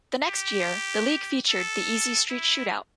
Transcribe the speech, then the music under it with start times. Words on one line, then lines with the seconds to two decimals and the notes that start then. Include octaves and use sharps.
The next year, the league featured the "Easy Street Shootout".
0.28 G4
1.49 A4
2.30 E4